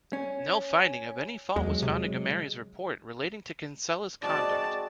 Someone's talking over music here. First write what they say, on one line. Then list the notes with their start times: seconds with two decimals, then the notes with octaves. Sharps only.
No finding of any fault was found in Gomery's report relating to Kinsella's conduct.
0.13 C#4
1.56 E2 F#3 G#3
1.82 C3
4.22 G#3 C4 F#4 D5 A5